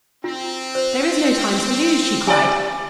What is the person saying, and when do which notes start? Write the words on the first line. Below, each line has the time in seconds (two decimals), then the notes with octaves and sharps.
"There is no time to lose," she cried.
0.24 C4 F4
0.75 C5
2.27 G4 D5 G#5 A#5